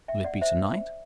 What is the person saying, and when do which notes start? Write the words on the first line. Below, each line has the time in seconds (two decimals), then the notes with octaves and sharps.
"Will it be to-night?"
0.08 E5 G5
0.24 D5 F#5
0.41 C5 E5